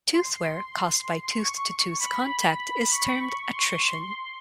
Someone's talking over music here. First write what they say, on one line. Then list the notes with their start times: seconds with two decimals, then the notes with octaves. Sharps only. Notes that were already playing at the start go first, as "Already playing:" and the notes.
Tooth wear caused by tooth-to-tooth contact is termed attrition.
0.13 C6
1.37 C#6
1.99 B5
2.91 C#6
3.53 C6
3.83 C6